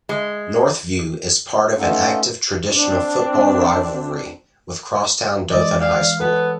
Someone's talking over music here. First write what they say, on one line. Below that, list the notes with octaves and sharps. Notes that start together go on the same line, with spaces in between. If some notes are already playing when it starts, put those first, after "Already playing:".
Northview is part of an active traditional football rivalry with crosstown Dothan High School.
G#3
A3 B3 C#4 D#4 F4 A4
C4 D4
E3 G#3 D5 D#5
D5 F5
B3 A4 B4 C#5